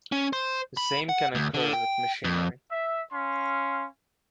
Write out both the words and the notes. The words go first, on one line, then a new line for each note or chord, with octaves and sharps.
The same can occur with machinery.
C#4
C5
B5
F#5
D2
D3
G5
F2
E5
C#4 F5 C6